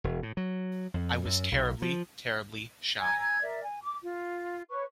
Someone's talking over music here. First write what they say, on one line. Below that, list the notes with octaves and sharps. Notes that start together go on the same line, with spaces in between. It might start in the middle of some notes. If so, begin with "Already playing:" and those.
I was terribly, terribly shy.
E1
A2
F#3
F2
F#2
B1
F3
G#5 A#5 E6 G#6
A#4 D5 E5
G#5
D6
F4
B4 C#5 C#6